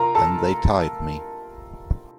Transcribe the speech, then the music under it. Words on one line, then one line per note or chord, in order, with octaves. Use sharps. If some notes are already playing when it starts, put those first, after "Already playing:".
Then they tied me.
Already playing: C3 F4 A#4 A#5
A4 A5